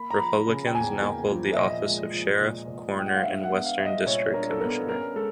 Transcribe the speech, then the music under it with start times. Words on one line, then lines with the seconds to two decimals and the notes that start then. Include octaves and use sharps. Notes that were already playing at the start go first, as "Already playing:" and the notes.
Republicans now hold the office of Sheriff, Coroner, and Western District Commissioner.
Already playing: A#3 B5
0.11 A#5
0.19 F3 B5
0.46 C#3
0.66 G5
0.75 E2 G#5
1.02 A#3
1.30 F3
1.53 E5
1.57 A#2 D#5
1.85 G#3
2.12 F3
2.40 A#2
2.68 A#2
2.95 G#3 G5
3.06 F#5
3.15 F5
3.23 D4 E5
3.43 F#5
3.50 B3
3.65 F5
3.78 G3 E5
3.85 D#5
4.05 A#2 C#5
4.33 D4 A#4
4.50 A4
4.60 B3 A#4
4.88 C#4 A#4
5.15 G#3 A4